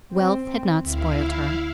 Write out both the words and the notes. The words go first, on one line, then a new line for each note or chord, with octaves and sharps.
Wealth had not spoiled her.
C4
D2 E4 F5